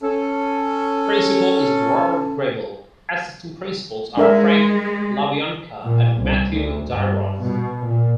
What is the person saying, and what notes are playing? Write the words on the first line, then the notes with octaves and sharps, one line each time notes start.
Principal is Robert Grable; assistant principals are Frank LaBianca and Matthew Dyroff.
C#4 A4
G#3 D4 A#4 E5
A#2
C2
D2
G2
B2
A#2